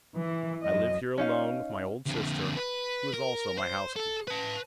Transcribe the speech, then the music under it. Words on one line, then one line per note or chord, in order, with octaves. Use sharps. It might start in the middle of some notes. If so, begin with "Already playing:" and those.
I live here alone with my old sister, who is also my housekeeper.
E3
F#2 D#5
C#4 D#4 F5
F2 D3
B4
A#4
C5
A4
B4 A5